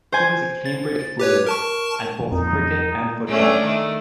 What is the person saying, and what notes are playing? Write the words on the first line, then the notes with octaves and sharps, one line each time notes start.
He was a Cambridge Blue at both cricket and football.
C5 G#5
A6
G4 B4 C#5
A#4 A5 C#6
F2 D#4
A3 C#4 D4
D#3 A3